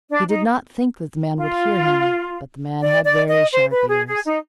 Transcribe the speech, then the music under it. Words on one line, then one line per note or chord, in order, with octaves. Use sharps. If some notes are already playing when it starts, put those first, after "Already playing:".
He did not think that the man would hear him, but the man had very sharp ears.
D4
D#4
F4
D5
D5
D#5
C5
B4
G#4
G#4
D#4